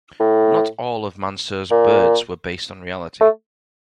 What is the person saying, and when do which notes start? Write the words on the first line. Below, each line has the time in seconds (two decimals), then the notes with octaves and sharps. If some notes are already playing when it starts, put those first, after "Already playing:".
Not all of Mansur's birds were based on reality.
0.20 A2
1.71 A#2
3.21 A3